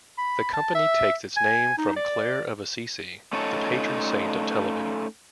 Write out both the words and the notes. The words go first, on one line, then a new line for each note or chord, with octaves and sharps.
The company takes its name from Clare of Assisi, the patron saint of television.
B5
A5
E5
G#5
D#4
D5
A3 C#4 D#4 F4 A4 C#5